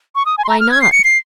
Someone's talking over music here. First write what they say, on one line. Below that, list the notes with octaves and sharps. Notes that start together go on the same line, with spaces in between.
"Why not?"
C#6
D#6
G#5
C6
A#5
F6
G#6
C7
C#7
C7